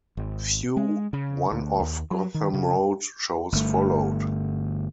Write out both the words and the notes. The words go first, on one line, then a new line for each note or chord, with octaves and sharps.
Few one-off Gotham Road shows followed.
G#1
G#3
C#3
D2
D#2
F#3
D#3
C#3
G1 A3